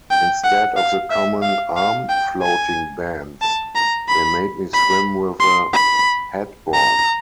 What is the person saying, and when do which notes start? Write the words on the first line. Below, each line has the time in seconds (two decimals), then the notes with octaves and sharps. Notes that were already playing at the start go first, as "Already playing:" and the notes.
Instead of the common arm floating bands, they made me swim with a headboard.
0.11 G5
0.44 F#5
0.77 F5
1.11 E5
1.43 F5
1.76 F5
2.09 G5
2.42 G#5
3.42 A5
3.75 A#5
4.08 B5
4.74 B5
5.40 C6
5.73 B5
6.73 A#5